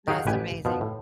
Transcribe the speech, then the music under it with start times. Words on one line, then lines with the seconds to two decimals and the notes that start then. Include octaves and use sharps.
That's amazing.
0.08 D#3 G4 G#4 F5 F#5
0.27 A1 G4 B4 G#5
0.65 B2 F3
0.81 A2